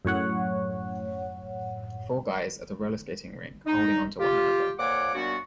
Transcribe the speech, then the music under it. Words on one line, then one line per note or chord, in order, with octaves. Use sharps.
Four guys at a rollerskating rink holding on to one another.
F#2 A2 C#5 F#5
D#4
F4 G4
F2 A#2 A#3 C#5 F#5 D6
F#2 A#2 G3 B3 D4 F#4